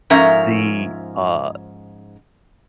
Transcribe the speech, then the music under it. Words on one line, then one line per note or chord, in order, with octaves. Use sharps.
the, uh,
G#2 F3 C#4 A#4 E5 A#5